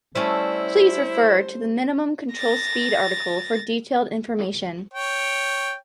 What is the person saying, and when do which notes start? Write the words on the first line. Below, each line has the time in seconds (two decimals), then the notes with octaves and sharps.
Please refer to the minimum control speed article for detailed information.
0.15 G3 A3 C#4 E4 C5
2.33 A6 A#6
4.93 C#5 G5